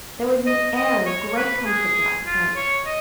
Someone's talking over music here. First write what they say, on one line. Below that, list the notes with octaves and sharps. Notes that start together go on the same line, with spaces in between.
There was an air of great comfort about the place.
D#5
D#5
C#5
B4
G#4
F4
C#5
D#5